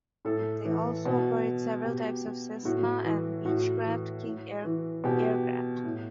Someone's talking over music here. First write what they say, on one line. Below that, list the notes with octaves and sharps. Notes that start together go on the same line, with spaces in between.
They also operate several types of Cessna and Beechcraft King Air aircraft.
A2 A4
E3
B2
B2 G4
A2 F#4
E3
A2 F#4
E3
A2
E3
B2 G4
A2